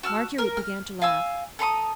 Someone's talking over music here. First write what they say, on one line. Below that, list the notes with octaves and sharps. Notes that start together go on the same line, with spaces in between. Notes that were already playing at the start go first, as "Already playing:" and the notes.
Marguerite began to laugh.
F#4 A5 E6 F6
A#4 F6
F6
F5 G#5 E6
A4 A#5 C6 D#6